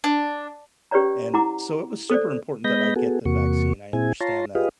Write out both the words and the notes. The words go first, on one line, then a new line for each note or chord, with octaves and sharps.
and so, it was super important that I get the vaccine, I understand that,
D4
C#4 G4 B4 C#5 D5 A#5
E4 F#5 A#5 D6
A4 C5 D5
G#3 B3 D#5 B5 G6 A#6
B3 F#4 G#4 A4
E2 C3 A#3 F#4 C#6
A#2 C4 E4 G#4 G#5
F4 C#5 A5 A#5 C6
F4 G4 G#4 B4 D#5 F5